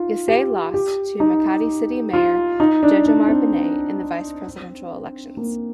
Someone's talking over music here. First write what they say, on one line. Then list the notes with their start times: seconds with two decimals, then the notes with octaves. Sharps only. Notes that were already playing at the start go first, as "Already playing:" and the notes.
Yasay lost to Makati City Mayor Jejomar Binay in the vice-presidential elections.
Already playing: D#4 F4
0.28 G4
0.74 G4
1.20 D#4
2.13 F4
2.60 D#4
2.83 D4
3.06 D4
3.28 C4
5.37 A#3